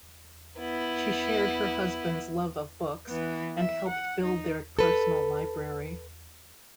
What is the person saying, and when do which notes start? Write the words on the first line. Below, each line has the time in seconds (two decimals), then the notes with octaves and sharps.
She shared her husband's love of books and helped build their personal library.
0.59 B3 E4
3.07 E3 B3
3.58 E5
3.88 F#5
4.23 D#4
4.79 A4 B4